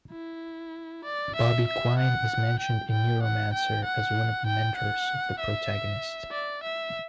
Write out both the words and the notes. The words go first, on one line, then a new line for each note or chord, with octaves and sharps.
Bobby Quine is mentioned in "Neuromancer" as one of the mentors of the protagonist.
E4
D5
E5
E5
F#5
G5
G5
F#5
G5
F#5
G5
F#5
E5
D5
E5